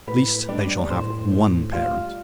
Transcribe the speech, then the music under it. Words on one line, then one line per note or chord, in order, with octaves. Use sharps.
At least, they shall have ONE parent.
A2 B4
G3 D4 D5
A2 C5
A2
G3 F4